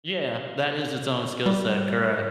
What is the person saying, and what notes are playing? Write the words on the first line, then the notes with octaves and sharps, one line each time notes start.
Yeah. That is its own skill set, correct.
G3